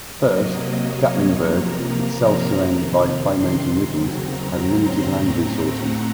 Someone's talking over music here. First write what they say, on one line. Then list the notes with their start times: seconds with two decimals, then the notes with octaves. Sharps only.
First, Gatlinburg, itself surrounded by high mountain ridges, had limited land resources.
0.16 C3 F#3 A#3 D#5
0.77 C#5
1.37 C3 F3 A#3 A#5
1.98 A#5
2.59 F2 C3 D#3
3.21 C6
3.81 D#2 C#3 F#3 C4 A#5
4.12 A#5
4.72 C6
5.02 A2 A3 C4 A#5
5.63 F#5